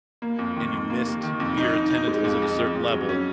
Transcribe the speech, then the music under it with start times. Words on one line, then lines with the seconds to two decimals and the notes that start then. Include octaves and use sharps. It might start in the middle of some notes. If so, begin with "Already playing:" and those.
and you missed your attendance was at a certain level,
0.22 A#3
0.39 F2
0.56 D#3
0.73 F2
0.90 A#3
1.06 C3
1.23 D#3
1.40 F2
1.57 D#4
1.73 D#4
1.90 D#4
2.07 G#3
2.25 F2
2.42 F2
2.59 F2
2.75 F2
2.92 F#3
3.09 C#4